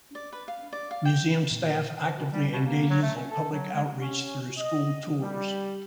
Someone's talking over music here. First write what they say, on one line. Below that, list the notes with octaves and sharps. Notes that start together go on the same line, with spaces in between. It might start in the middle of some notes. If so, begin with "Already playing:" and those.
Museum staff actively engages in public outreach through school tours.
D5
B4
F5
D5
F5
G5
A#2
F3
B2
G3
B2
A#3
F#3
A3
C#4
A4
F#3
G#3
C#4
D#5
G3